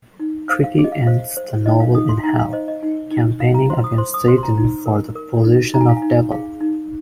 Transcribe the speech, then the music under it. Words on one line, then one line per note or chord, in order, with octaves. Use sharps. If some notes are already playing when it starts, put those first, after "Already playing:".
Tricky ends the novel in Hell, campaigning against Satan for the position of Devil.
D#4
C5 F5
F5
G#4
D#5
F5
C5 F5
C5
D#4 D#5
F5
D#4 D#6
C6
D#4 A#5
F5
C5 D#5
D#5
D#4
D#4
F4 F5
A#5
C5 C6
D#6
C5 C6
D#6
C5 C6
C6
A#5
D#4
A#4
A#4
D#4
D#4 A#5
G#5
F5
G#5
D#4
G#4 F5
D#4